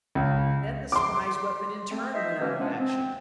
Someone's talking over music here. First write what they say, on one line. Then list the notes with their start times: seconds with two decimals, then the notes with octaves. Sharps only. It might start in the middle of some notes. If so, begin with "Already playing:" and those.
Then the spy's weapon in turn went out of action.
0.15 C#2
0.92 C6 D6
1.91 A3 C4
2.14 D#4 C5 D#5 E5
2.40 B2 E3 G#3 A#3 C#4
2.59 F3 G#3 A#3 B3 C#4 D4
2.79 C4